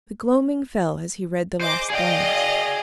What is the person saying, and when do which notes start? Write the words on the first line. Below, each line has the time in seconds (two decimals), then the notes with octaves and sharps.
The gloaming fell as he read the last lines.
1.61 G#4 C5 D#5 D6
1.90 G#4 D5 D#5 F5 G5